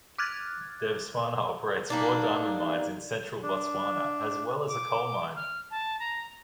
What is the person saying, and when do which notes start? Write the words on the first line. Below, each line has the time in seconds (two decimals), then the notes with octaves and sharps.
Debswana operates four diamond mines in central Botswana, as well as a coal mine.
0.18 D6 F6 F#6 G#6 A6
1.90 G3 A#3 D4 D#4
3.43 D4
4.68 D6
5.36 F6
5.71 A5
6.00 A#5